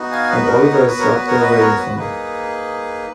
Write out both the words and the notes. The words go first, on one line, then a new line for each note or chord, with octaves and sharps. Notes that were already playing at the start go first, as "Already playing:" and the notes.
And Oliver is up there waiting for me.
Already playing: B3 D#4 F#4
F5 G#5
B4
A#4
B4
A#4 C#5
B3 F#4 B4
A#4 C#5
B4
A#4 C#5
B4 D#5
A#4 C#5
B4
A#3 D#4 G#4 B4